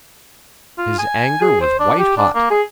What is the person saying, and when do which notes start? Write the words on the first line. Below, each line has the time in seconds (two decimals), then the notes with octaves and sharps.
His anger was white hot.
0.78 F4
0.99 G#5
1.42 G#4
1.61 C5
1.79 D4
1.99 G4
2.17 D4
2.35 A#3
2.50 G#4